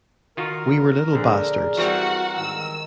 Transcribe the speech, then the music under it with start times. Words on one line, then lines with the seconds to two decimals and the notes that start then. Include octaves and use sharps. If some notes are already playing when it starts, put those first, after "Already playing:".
We were little bastards.
0.37 D#3 F4 F#4 A#4
1.13 A#1 D3 G#4 D5
1.77 E3 G3 C4 F#4 F#5
2.37 G#2 D#3 E6